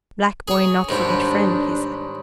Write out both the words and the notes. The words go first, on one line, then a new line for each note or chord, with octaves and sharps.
"Black boy not forget friend," he said.
G#4 C#5
D#2 G#2 G3 D4